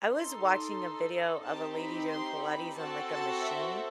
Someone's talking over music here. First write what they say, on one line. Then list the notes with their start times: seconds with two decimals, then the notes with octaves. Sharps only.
I was watching a video of a lady doing Pilates on, like, a machine
0.11 D#4 A4 C6
1.43 C4 D#4 G4 A5
1.77 B5
2.11 C6
2.43 B5
2.77 C4 F#4 A4 A5
3.11 A5
3.44 E5